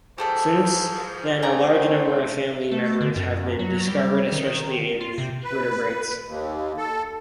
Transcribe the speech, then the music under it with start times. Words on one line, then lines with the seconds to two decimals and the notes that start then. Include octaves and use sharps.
Since then a large number of family members have been discovered, especially in vertebrates.
0.18 G#2 F3 G4 A4 D5
1.43 A3 C4 G#4 D5 A#5
2.71 A3
3.01 D3
3.16 F#2
3.59 F#3
3.87 G3
4.32 D#3
5.01 F4
5.18 C3
5.44 B4
6.26 D#2
6.77 A4